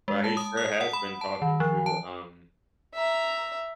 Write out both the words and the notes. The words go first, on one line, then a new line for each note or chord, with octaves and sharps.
Well, he sure has been talking to, um
G#3
A5
D#6
D#6
F#5
B5
A5
D#3
F3
A5
E5 A#5